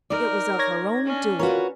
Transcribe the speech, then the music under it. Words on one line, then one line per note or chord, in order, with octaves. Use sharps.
It was of her own doing.
D#4 A#4 D5
C#5 G#6 A#6
C#4 D4
F4 F#4 A#4 B4 C#5